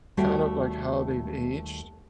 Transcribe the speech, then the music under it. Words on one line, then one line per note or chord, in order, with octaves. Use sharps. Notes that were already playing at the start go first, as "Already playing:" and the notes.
kind of like how they've aged,
D#2 G3 A3 F#4 G4 E5